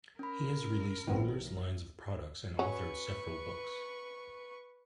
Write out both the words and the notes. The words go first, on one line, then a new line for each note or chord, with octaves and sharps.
He has released numerous lines of products and authored several books.
C#4 A#4 B5
A#1 A2 D#3 B3 C4
F#3 C#4 B4 C#6